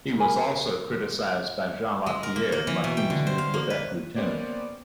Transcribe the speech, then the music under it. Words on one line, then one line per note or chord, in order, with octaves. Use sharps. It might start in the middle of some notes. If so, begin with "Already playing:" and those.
He was also criticized by Jean Lapierre, Martin's new Quebec Lieutenant.
A#4 G#5 A5 B5
G#3
A#4
A#3
A#3
E3
B2
G5
D3
C5
F5
A#3
B4
A#3 B3 C#4 G4 C5 D5